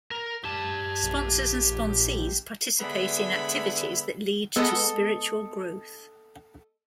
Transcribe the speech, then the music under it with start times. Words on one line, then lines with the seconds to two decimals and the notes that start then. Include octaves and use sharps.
Sponsors and sponsees participate in activities that lead to spiritual growth.
0.11 A#4
0.44 G4 A5
1.04 A#1
2.81 D3 G#3 B3 D4 E5 B5
4.56 G#3 B3 A4 D#5